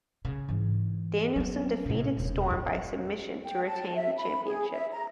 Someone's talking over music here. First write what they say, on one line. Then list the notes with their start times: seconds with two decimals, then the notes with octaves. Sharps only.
Danielson defeated Storm by submission to retain the championship.
0.25 C#3
0.49 G#2 E3
1.36 F#3 B3
1.86 A2 C3
2.17 E1 D#2
2.50 A1 F2
3.44 G5
3.66 A5
3.95 E5
4.17 B5
4.46 G#4
4.72 E5
4.92 A#5